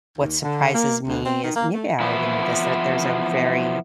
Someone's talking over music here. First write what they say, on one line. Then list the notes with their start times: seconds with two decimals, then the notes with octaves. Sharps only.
what surprises me is- maybe I already knew this- that there's a very,
0.18 D#2
0.44 D3
0.74 A#3
1.07 D2
1.25 C4
1.44 D#3
1.56 A#3
1.74 A3
2.00 E3 F3 B3 E4